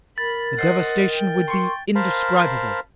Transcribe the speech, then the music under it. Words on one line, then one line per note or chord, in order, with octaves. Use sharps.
The devastation would be indescribable.
A#4 B5 A6
C5 D#5 F#5 E6
G5
C6 C#6
A#4 C5 F5 A5 B5